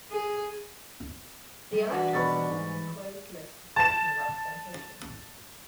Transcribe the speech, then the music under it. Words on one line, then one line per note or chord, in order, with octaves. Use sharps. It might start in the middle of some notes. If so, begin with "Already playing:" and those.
The electoral system is closed list proportional representation.
G#4
G3
E3 G3 D4 F#4 B4
B2 B5 C#6 A6
G#2
A5 E7